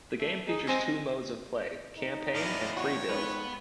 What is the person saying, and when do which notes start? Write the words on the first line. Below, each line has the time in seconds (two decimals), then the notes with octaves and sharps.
The game features two modes of play - Campaign and Free-Build.
0.19 A3
0.48 D#4 G#4
0.68 G#3 C4 G#5
1.98 D#4
2.35 E2 A2 D4 D#5 F5
2.77 F2 F#4 C#5
3.10 G#2 B3 B4